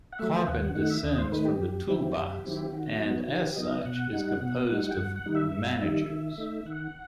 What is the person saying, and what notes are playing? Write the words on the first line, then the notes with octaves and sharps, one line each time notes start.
Carbon descends from the Toolbox, and as such, is composed of "Managers".
F#5
F#3 A3 E5
G5
D#2 F#5
F#5
D#3 A3 D#4 F#5
E5
D#2 D#5
C5
D#3 A3 D#4 B4
G4
F#2
D#3 F#3 C4 E4
F#2
D#3 F#3 C4 E4
D#3 F#4
F#3 B3 D#4
D#3 G4
F#3 B3 D#4 D#5
B2 F#5
G3 D#4
B2 F#5
G3 D#4
G5
G2 F#5
F#5
D#3 G3 D#4
E5
G2
D#3 G3 D#4
D#3
A3 D#4
D#3 F#5